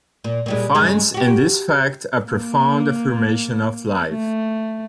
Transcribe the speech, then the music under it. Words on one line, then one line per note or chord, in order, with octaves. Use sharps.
He finds in this fact a profound affirmation of life.
A#2
A#2 G3 G#3
G2 C#3 G#3
F#4 G4
A#3
A3